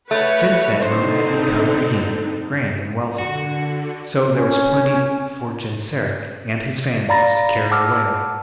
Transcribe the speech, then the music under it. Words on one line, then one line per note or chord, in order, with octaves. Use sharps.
But since then Rome had become again grand and wealthy, so there was plenty for Genseric and his Vandals to carry away.
A3 B4 C#5 F#5
D3 C4 D#4 C5
D3 F#4
C#4
D5 F5 A#5 B5 A6 A#6
F#5 A5 D6 E6 F6